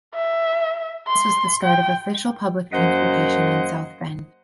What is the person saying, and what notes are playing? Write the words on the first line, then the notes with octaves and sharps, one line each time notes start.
This was the start of official public transportation in South Bend.
E5
C6
G5
F#2 A#3 C5 D#5 F#5